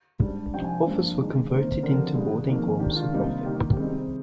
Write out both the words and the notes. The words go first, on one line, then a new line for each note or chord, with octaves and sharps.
Others were converted into boarding homes for profit.
G#2 G3 D4
C3 F3 C4 D#4 G5
G#5
C5
G2 F3 A#3 D4 D5
D#3 G#3 D#4
C3 D#3 A#3 C5
D3 F3 C4 A#4
G4
G2 D#3 G3 G#4
F2 D#3 A#3 D#4
D#3 G#3 D4 G4
F4
C3 G3 A#3 D#4
D#3 A#3 D#4 G4
G4
C3 G3 C4 D#4 G#4